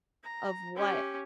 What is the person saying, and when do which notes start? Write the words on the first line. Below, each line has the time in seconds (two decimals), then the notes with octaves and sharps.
of what
0.23 A#5
0.76 C#4 G4